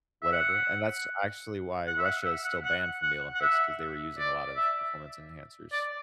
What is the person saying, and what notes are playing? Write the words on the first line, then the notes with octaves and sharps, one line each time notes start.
whatever. And that's actually why Russia is still banned from the Olympics 'cause they were using a lot of performance enhancers.
E5
F#5
F#5
E5
F#5
E5
F#5
F#5
F#5
F#5
E5
D5
E5
D5